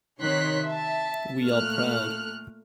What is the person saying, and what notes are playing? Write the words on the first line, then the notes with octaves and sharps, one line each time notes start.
We are proud.
C3 D#3 C#5 C6 F#6 B6
E5 A5
A#2 A3 F6 F#6